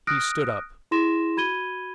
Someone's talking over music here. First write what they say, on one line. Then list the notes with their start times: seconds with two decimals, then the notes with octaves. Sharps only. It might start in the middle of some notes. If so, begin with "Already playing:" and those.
He stood up.
0.07 D#6 F6 F#6 A#6 D7
0.91 E4 G#4 C6 A#6 E7
1.37 F#4 B5 G#6 D#7 G7